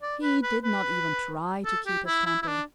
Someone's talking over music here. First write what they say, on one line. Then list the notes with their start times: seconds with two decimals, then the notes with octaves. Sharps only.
He did not even try to keep his temper.
0.02 D5
0.22 B4
0.43 B4
0.63 B4
1.65 A4
1.86 G4
2.07 E4
2.26 E4
2.42 E4
2.48 D4